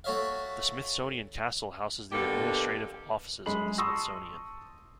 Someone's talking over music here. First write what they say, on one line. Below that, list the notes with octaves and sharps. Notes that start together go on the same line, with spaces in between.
The Smithsonian Castle houses the administrative offices of the Smithsonian.
A3 F#4 C#5 E5 F5
B2 D3 A#3 G4 A4 B4
F#2 G#3 B5 F#7
A5 C6 C#6 D#6 E6 A#6